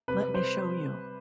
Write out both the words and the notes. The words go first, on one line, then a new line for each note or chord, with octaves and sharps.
Let me show you.
C3 B4
G3
C5